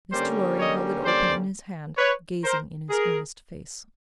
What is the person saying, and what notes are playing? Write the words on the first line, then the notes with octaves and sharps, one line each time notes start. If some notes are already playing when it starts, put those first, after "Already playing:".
Mr. Lorry held it open in his hand, gazing in his earnest face.
D3 G3 A#3 C#4 C5 D5
C#5 D#5
C5 D5
B4 C#5
A#4 C5
G#4 A#4